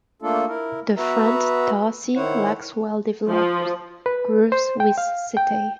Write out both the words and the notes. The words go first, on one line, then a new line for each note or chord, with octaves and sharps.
The front tarsi lacks well developed grooves with setae.
A3 A#3 D4 F4 A4
E4 A#4
B3 F#4 B4 E5 A#5
D#3 E4 C5 C#5 F#5
F3
B4
C5
G5
F5
G5